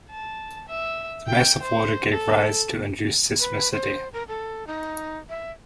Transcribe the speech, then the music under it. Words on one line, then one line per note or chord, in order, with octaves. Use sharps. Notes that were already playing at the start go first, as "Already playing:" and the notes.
The mass of water gave rise to induced seismicity.
A5
E5
G5
C5
A4
B4
C5
A#4
A4
D#4
E5